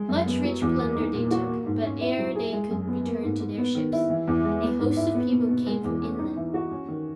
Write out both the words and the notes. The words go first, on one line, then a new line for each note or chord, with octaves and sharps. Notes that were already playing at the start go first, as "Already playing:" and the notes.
Much rich plunder they took, but ere they could return to their ships, a host of people came from inland.
Already playing: G#3
F#2
B3
F#3
E2
A#3
D#4
A#2
F#4
A#3
G#2
C#4
E4
F#3
G#4
G#3
F#2
B3
A#3
G#2
G#2
B3
D#3
E4
E3
E2
G#3
B3
G#2
E4
B3
B2
B2
G#3
E2
C#4
D#4
E3
F#4
C#4
D#3